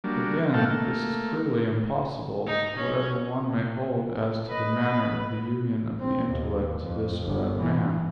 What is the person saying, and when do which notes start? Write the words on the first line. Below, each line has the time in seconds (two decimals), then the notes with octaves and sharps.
Again, this is clearly impossible, whatever one may hold as to the manner of the union of the intellect to this or that man.
0.04 F#3 G3 A#3 D4
0.54 A2 A3 F#4 F5 G5 A5
0.70 A3 A#3
2.46 D#4
2.76 C#4
4.49 B4 D#5 B5
6.00 C4
6.31 D#2
6.83 F2
7.26 G1
7.61 E3